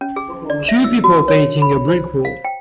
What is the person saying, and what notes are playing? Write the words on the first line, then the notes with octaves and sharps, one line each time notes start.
Two people painting a brick wall.
C#4
G#4
D5
E5
E6
F#4
C#5
B5
C5
F5
G5